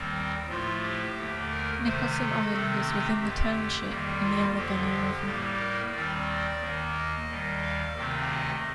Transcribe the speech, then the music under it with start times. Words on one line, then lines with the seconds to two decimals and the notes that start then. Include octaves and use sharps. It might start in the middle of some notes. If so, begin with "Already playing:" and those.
Nicholson Island is within the township in the Allegheny River.
Already playing: D#2 D#3 G3 C4
0.48 A2 F3 A3 F4
0.82 G4
1.16 D#2 D3 A3
1.51 A#4
1.84 C3 D#3 A3 C5
2.19 A4
2.52 C3 D#3 A3 C4
2.86 G4
3.20 F2 D3 A3 G4
3.89 F2 D#3 G3 A#3
4.22 F4
4.56 F2 D3 F3 G4
4.90 G4
5.25 A2 G3 A#3
5.59 A#4
5.92 D#2 D#3 G3 C4 D5
6.60 D#2 D#3 A#3
6.94 D#5
7.29 D#2 D#3 G3
7.62 F5
7.95 D2 C3 D#3 A3 C4
8.30 D#5